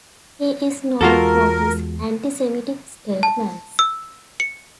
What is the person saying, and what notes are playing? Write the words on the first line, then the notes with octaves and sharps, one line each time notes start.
He is known for his anti-semitic statements.
E2 G#3 F4 F#4 A4 A#4
A5
E6
C#7